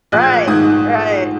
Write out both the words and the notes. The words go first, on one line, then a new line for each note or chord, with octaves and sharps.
Right right,
A#1 F#6
G#6
F#6
G#2 D#3 D#6